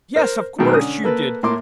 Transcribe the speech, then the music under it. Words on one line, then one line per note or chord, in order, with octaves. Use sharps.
'Yes, of course you did!
A#4 C5
B2 D#3 F#3 G#3 A3
D3 C#4 D#6
A#3 A4 B4
A2 A#3 E4 C6 D6